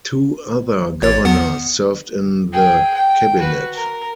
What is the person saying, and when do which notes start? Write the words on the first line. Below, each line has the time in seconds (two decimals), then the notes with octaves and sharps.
Two other governors served in the Cabinet.
1.02 A1 C#5 A6
1.25 E2 B3 F#5
2.53 G#4 G5
2.94 G5
3.38 F#4 B4
3.74 A#4